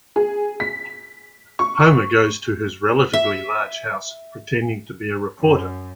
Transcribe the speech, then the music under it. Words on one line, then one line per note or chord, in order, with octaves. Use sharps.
Homer goes to his relatively large house pretending to be a reporter.
G#4
B6
C#6
E5
F#2